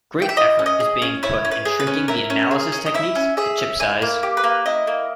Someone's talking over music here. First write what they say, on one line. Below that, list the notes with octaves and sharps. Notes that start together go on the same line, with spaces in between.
Great effort is being put in shrinking the analysis techniques to chip size.
G5
E5
E4 D#5
C#4
D#5
G#4
C#4
E4 C#5
C#4
B4
G#4
B4
C#4
E4 A#4
C#4
G#4
C#4
D#5
E4 E5
C#4
G#4 E5
C#4
E4 G#5
A#3
G4
B4
A#3
E4 D#5
A#3